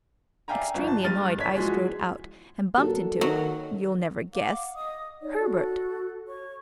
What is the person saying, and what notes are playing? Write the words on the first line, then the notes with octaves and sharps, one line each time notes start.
Extremely annoyed I strode out, and bumped into--you'll never guess--Herbert!
D5 E5 F5 G5 G#5 A#5
G1 F3
A5
G2 F6 A6 D#7
G1 C#5 G#6 B6
E3 F3 G#3 F#4 G#4
F#3 A#3 D4 A4
D#3 F#3
F5 F#5 D6
D#5 D#6
D#4 C#5 D5
F#4 A4
C#5 C#6